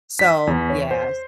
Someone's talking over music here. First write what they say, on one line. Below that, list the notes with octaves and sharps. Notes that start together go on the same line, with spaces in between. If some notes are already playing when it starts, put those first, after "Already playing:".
So, yes.
B6
E2
C#5
C5